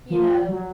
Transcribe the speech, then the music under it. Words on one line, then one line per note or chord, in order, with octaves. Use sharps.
You know?
F3
F#3